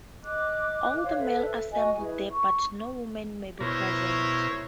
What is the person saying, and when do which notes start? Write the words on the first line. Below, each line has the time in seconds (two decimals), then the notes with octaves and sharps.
All the males assemble there but no woman may be present.
0.23 D#5 D6 F#6
1.03 C5 C#5 F5
1.17 A4 B4 C5 E5
1.71 F#4 D#5 G#5
1.96 E4 G#4 B4
2.31 C#6
3.60 B2 E4 A#4 C5 C#5